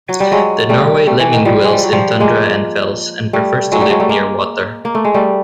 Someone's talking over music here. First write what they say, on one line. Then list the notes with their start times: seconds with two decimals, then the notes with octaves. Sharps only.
The Norway lemming dwells in tundra and fells, and prefers to live near water.
0.09 F#3
0.20 G3
0.32 F#3 G#3
0.69 G3 A3
1.07 G3 A3
1.20 E3
1.33 D#3
1.45 F3 G3
1.64 G#3
1.73 G3
1.83 F#3
1.92 F3 G3
2.20 G#3 A#3
3.33 G3 A3
3.72 F#3 G#3
3.81 G3 A3
3.90 F#3 G#3
4.00 G3 A3
4.09 G#3 A#3
4.85 A#3
4.95 A3
5.04 G#3
5.14 G3 A3